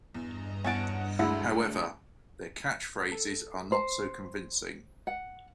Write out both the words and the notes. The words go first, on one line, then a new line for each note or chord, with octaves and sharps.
However, their catchphrases are not so convincing.
E2 G2 D#5 A#5
E2 C#4 F#5 A5 D7
D2 G#3 D4 E4 F#5
A4
C5
F#5